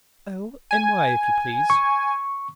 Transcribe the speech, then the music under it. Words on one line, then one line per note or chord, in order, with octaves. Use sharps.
"Oh, and why, if you please?"
G#5
C#6